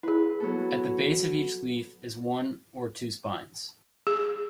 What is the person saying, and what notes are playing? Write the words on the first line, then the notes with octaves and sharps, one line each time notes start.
At the base of each leaf is one or two spines.
E4 G#4 B4
F#3 B3 A4
G#4